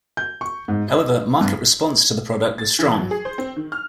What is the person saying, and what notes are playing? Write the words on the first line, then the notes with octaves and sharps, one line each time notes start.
However, market response to the product was strong.
G6
C#6
G#2
D#5
G2
A6
E3
F#3
G#4
C5
C4
D#3
F6